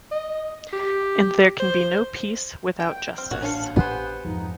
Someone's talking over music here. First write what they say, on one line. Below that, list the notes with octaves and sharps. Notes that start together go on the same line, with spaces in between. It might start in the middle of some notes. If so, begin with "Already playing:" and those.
And there can be no peace without justice.
D#5
G4
C5
G5
C4 F6
A1 A#2 F#4 A#4
C#4 D4 F5 A5 C#7
B3 G4 C5 F#5 G#5 F#6
F2 G#2 F3 D#4